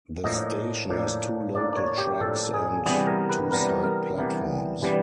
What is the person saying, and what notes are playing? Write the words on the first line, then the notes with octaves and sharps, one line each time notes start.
The station has two local tracks and two side platforms.
A2 F3 A#3 D4 D#5
A2 F3 A#3 D4
A2 F3 A#3 D4 D5
D5
C#5
G4
A2 F3 A#3 D4 A4
G#4
C3 E3 G3 B3 D4 G#4
A#4
B4
C3 E3 G3 B3 D4 A#4
A#4
C3 E3 G3 B3 D4
C3 E3 G3 B3 D4